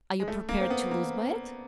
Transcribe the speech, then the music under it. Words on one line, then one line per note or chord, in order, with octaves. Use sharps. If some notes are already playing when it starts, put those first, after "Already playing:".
"Are you prepared to lose by it?"
G#3
A3
A#3
C4
B3
A#3